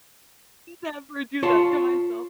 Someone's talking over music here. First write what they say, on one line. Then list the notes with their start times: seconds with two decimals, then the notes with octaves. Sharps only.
Never do that to myself.
1.43 F4 C#5 A5 C6